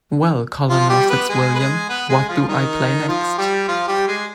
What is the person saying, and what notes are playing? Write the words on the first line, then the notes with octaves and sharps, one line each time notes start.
Well, Colonel Fitzwilliam, what do I play next?
F3 F4
G3 G4
B3 B4
G#3 G#4
B4
G#3 G#4
B3 B4
G#3 G#4
F3 F4
D#3 D#4
F3 F4
G3 G4
F3 F4
G3 G4
G#3 G#4